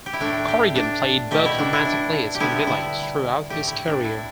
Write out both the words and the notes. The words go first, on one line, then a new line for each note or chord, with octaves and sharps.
Corrigan played both romantic leads and villains throughout his career.
G4
E4
A2 A3 D4
G4
D4
B2 A3 G4
E4
D4
E4
D4
G4
D3 G3 B3 E4
E4
A2 A3 G4
E4
D4
E4